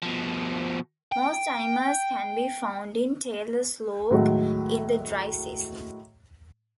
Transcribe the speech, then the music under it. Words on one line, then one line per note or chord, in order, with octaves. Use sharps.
Most animals can be found in Taylor Slough in the dry season.
B2 F3
G5
A2 D#3 F#3 G#3 A3